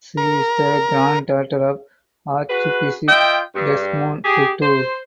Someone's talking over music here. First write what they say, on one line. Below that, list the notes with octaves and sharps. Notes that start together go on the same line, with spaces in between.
She is the granddaughter of Archbishop Desmond Tutu.
A#4
F#4 G#4 B4
F4 D#5 E5 G5
G2
G4 G#4
C5